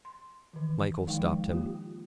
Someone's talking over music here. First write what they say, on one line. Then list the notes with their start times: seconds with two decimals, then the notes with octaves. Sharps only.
Michael stopped him.
0.05 C6
0.53 D#3 E3
1.06 D#3 F3 G#3 D#4 F5 G5
1.51 A#3 F4 G4